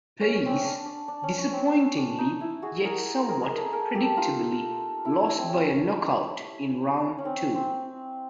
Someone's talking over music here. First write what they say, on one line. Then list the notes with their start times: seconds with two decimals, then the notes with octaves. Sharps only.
Paez disappointingly yet somewhat predictably lost by a knockout in round two.
0.21 C#4
0.35 C#4
0.45 C4 C#4
0.64 D4
0.86 D4
1.08 D4
1.23 C#4
1.37 C#4
1.53 C4
1.74 C#4
1.96 D4
2.18 D#4
2.41 E4
2.62 F#4 G#4
2.84 G#4 A#4
3.28 G#4 A#4
3.43 G#4 A#4
3.58 A4 B4
3.72 G#4 A#4
3.95 G4 A4
4.17 D#4 F4
5.05 E4
5.20 E4
5.38 C4
5.49 C#4
7.18 C#4
7.25 C4
7.54 C4